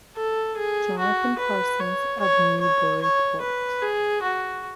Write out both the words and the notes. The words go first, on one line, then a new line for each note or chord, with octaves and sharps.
Jonathan Parsons of Newburyport.
A4
G#4
F#4
B4
C#5
C#5
C#5
C#5
B4
G#4
F#4